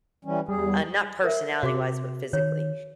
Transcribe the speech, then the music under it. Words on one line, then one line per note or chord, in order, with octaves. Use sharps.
Uh, not personality-wise, but physically.
E3 G3 C#4
E2 G3 G#4
A#4 E5
C3 F#4 D6
D#3 C#5